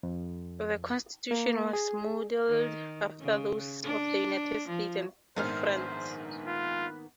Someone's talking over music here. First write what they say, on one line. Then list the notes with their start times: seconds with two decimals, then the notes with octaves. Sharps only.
The constitution was modeled after those of the United States and of France.
0.03 F2
1.31 A#3
1.73 G#4
2.49 D#3
3.20 C#3
3.84 D4
4.68 F3
5.36 A#1 G#2 D#3 A#3 B3 C5 F6
6.47 F4 B4